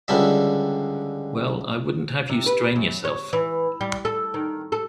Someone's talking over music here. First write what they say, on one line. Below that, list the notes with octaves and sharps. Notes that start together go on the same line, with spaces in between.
Well, I wouldn't have you strain yourself.
C#2 D3 G3 E5
C3
B4
F#2
C#5
E3
G3
A4
D#3
A4